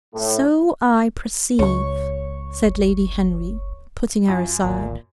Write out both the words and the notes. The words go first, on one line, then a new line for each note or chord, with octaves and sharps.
"So I perceive," said Lady Henry, putting her aside.
A2
C#2 C#5 C#6
F#1
F#2 F4
G#1 D2 A#2